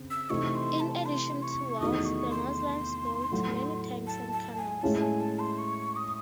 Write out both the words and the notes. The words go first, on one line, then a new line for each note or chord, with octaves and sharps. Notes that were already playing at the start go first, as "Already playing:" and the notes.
In addition to wells, the Muslims built many tanks and canals.
Already playing: C#3 C4
E6
C3 E3 A3 D#4 C#6
C6
A5
A5
C6
C#6
E2 D#3 A3 D#4 F#4 D#6
C#6
C6
A2 F#3 A3
A5
A5
G#5
A2 G#3 C#4 E4 A5
G#5
A5
C6
C#6
D#6